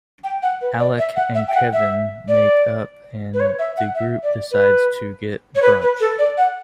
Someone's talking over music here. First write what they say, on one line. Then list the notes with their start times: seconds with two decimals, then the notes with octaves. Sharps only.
Alec and Kevin make up and the group decides to get brunch.
0.24 G5
0.43 F#5
0.61 B4
0.79 D5
0.99 E5
1.16 F#5
1.35 E5
1.48 G5
1.55 F#5
1.73 E5
2.28 D5
3.34 B4
3.40 C#5
3.59 E5
3.78 F#5
3.95 E5
4.23 D5
4.52 B4
5.55 C#5
5.62 B4
5.82 B4
6.00 A4
6.19 D5
6.38 F#5